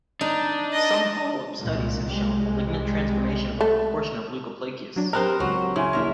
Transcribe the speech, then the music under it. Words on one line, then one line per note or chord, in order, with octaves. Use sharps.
Some follow-up studies have shown malignant transformation of a proportion of leukoplakias.
D4 D#4
D#5
C2 A#2 G#3
C2 G3 G#3
A3
F#3 D4
B3 C4 G4 A#4 C5 F#6
C#2 F#3 F#5
C#3 E4 G#5 C6
A#1 E4 A#4 E5